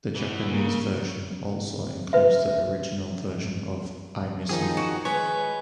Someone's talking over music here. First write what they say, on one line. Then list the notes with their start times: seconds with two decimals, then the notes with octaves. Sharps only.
The Japanese version also includes the original version of "I Miss You".
0.16 E3 B3
0.48 C#3 A#3
2.13 B4 E5
4.49 D#3 F3 D#4 G#4
4.77 F#4
5.05 G#3 B4 C#5